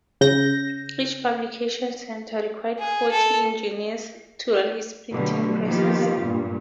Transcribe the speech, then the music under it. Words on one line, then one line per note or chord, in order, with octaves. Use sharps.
Each publication centre required forty engineers to run its printing presses.
C#3 G6 A#6
G#4
A4
B2 D3 F#3 G3 A3
D#3 F3 A#3 B3 F4 G4
G2 A#2